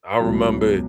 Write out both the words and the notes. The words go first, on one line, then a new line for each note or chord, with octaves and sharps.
I remember
C#2 B2 F#3